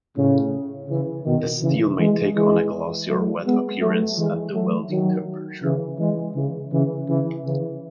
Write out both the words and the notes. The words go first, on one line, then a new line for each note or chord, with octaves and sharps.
The steel may take on a glossy or wet appearance at the welding temperature.
A2 C#3
C#3 E3
B2 D#3
C#3 E3
E3 G#3
E3 G#3
F#3 A3
G#3 B3
F#3 A3
E3 G#3
F#3 A3
D#3 F#3
C#3 E3
E3 G#3
C#3 E3
C#3 E3
C#3 E3
C#3 E3